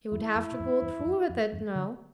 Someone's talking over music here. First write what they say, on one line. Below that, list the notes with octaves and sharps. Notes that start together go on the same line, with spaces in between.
He would have to go through with it now.
E2 G2 E4
F2
B2
F2 A2
E2 G2
G2
F2
F2
E2 G2
D3 F3